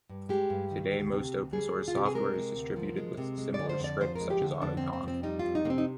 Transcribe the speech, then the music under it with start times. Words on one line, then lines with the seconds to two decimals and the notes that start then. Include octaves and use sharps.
Today, most open source software is distributed with a similar script, such as autoconf.
0.09 G2
0.29 G#3 G4
0.50 G2
0.71 D#3
0.92 D2
1.12 C3
1.33 D2
1.53 G3 G#4
1.73 D2
1.88 F4
1.95 C3 G4
2.06 G#4
2.15 G#3 A#4
2.36 C3
2.56 D2
2.76 F3
2.97 G#3
3.18 C3
3.38 G#3
3.54 D3 D5
3.69 C5
3.80 F2 D5
4.00 F3 C5
4.16 G#3 A#4
4.30 G4
4.41 D3
4.62 F2 D4
4.77 C4
4.83 C3
4.93 C4
5.04 F2 C4
5.23 G3 D#4
5.39 F4
5.45 F2
5.55 D#4
5.65 C3 A#3
5.70 C4
5.78 D#4